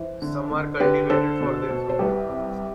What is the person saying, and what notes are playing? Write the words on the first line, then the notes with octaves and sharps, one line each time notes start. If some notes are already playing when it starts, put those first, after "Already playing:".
Some are cultivated for their fruit.
Already playing: E3 C5
D3
D3
D3 G4 B4
D3 A4 C5
B2
B2
C5
C2 G4 B4
C3